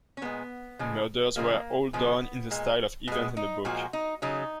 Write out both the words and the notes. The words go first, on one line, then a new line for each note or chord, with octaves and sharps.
The murders were all done in the style of events in the book.
C#4
A#2 G#3 B3
C#3 F3 G#3
C#3 F3 G#3 A#3
C#3 F3 G#3 B3
A#2 G#3
B2 G#3 B3
D#4
A#2 F3 G#3 F#4
D#4
C#3 F#3 D#4